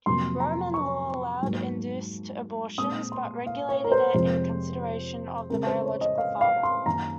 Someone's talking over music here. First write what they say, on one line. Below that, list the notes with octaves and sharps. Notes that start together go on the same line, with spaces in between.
Roman law allowed induced abortions but regulated it in consideration of the biological father.
F2 C3 F#3 A#3 C6
A#5
C#6
G#2 F#3 A#3
A#2 G#3 C4 D#6
C6
F5
C#5
A#4
C5
F2 C3 F3 G#3 C4
C#3 G#3 C4 A#4
C5
C#5
D#5
F5
F5
C6
F#2 D#3 A#3 A#5